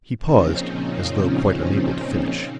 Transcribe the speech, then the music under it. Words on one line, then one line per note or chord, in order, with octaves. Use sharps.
He paused as though quite unable to finish.
A#2 C#3 F3 C4 C#4 D#4